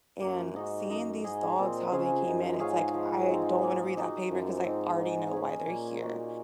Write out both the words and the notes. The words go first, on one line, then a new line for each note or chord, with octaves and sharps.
and seeing these dogs, how they came in, it's like, I don't wanna read that paper ‘cause I already know why they're here;
F#2 A#3
G#2 D#4 F#4
F#2 D#4
G#2 G#4 D#5
A#2 C4
C#3 F4 G#4
F#2 D#4
G#2 G#4 C#5 F5
F3
G#3 C4 D#4
A#3
D#4 F#4
F#2 F3
G#2 C4 D#4
G#3
C#4 G#4
A#2 A#3
D#4 F#4 A#4